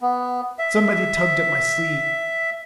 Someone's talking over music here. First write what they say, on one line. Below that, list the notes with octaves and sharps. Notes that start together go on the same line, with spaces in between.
Somebody tugged at my sleeve.
B3
E5